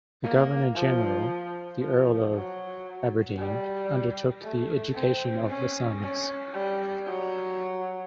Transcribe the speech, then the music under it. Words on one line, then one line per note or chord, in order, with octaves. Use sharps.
The Governor-General, the Earl of Aberdeen undertook the education of the sons.
A#3
F3
F3
F#3
G3
A3
C4
C#4
C#4
G3
F#3